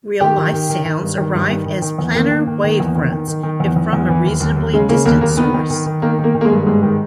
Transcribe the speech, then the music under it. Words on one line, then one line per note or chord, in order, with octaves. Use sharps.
Real-life sounds arrive as planar wavefronts, if from a reasonably distant source.
D#3 G4
D#3
D#3
D#3
D#3
G2
D#3
G2
D#3
D#3
D#3
E2
D#3 A#3
D#3
D#3
D#3
E2
D#3
D#3
D#3
D#3
E2
E2
E2
E3
D#2
D#2
D#2
C#3 G#3
C#3 A#3
D#2 A#3
D#2 A#3
D#3 B3
D#3
D#3
D#3
D#3 A#3
D#3
A#3
D#3
A#3
G#3
G2
G#2 G#3
D#3